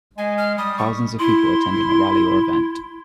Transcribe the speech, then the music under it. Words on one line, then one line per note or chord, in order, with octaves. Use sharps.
Thousands of people attending a rally or event.
G#3 G#5
F6
G3 D#6
C#6
E4 C6